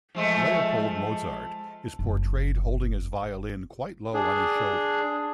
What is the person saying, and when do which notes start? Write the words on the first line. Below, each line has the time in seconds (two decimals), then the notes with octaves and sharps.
Leopold Mozart is portrayed holding his violin quite low on his shoulder.
0.15 F3 G#3 A3
1.99 F#1
4.14 D4 G#4